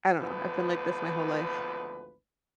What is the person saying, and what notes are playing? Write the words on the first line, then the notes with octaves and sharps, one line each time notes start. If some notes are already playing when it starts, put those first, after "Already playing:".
I don't know, I've been like this my whole life.
G#1 D2 F3 B3 B4